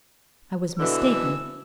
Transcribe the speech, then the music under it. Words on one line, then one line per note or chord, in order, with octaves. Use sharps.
I was mistaken.
B2 D3 E3 E6